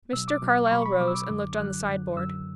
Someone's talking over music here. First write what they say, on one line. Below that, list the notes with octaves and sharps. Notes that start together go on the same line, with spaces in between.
Mr. Carlyle rose and looked on the side-board.
B2 F#3 E6
D6
B2 F#3
C#6
B2 F#3 B5
C#6
B5
B2 F#3 D6
E6
D6
F#2 D3 F#3
F#2 D3 F#3 F#6
F#2 D3 F#3
F#2 D3 F#3 E6